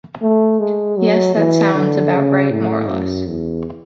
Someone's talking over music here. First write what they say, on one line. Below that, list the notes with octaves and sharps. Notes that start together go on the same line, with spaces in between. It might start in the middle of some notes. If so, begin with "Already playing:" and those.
Yes, that sounds about right, more or less.
A3
G#3
F#3
E3
D3
C#3
A2
F#2
E2